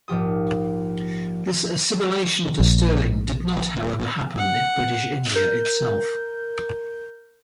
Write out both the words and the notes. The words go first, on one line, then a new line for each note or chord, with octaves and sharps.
This assimilation to sterling did not, however, happen in British India itself.
A#1 G#2 F3 G4 D#6
A#1
F#5
A#4 G6